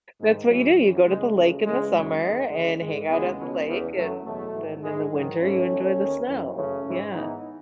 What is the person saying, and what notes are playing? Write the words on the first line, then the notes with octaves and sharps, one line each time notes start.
That's what you do, you go to the lake in the summer and hang out on the lake, and then in the winter you enjoy the snow, yeah.
G#2 D#3 G#3
G#2 E3 F#3
F#2 E3
C#2 C#3 E3 G#3
C#2 C#3 E3 F#3 A3
C#2 C#3 E3 G#3
F#2 E3 G#3
E2 D#3 G#3
D#2 C#3 E3 G#3
G#2 E3 G#3
D#2 C#3 E3 G#3 B3
C#2 B2
E2 C#3 E3
F#2 E3 F#3 A3
E2 B2 F#3 A3
G#2 E3
G#2 E3 G#3
G#2 D#3 F#3
G#2 E3 A3 C#4
E2 B2
D#2 D#3
F#2 E3
F#2 C#3 E3 A3 C#4
G#2 E3
G#2 E3 B3 D#4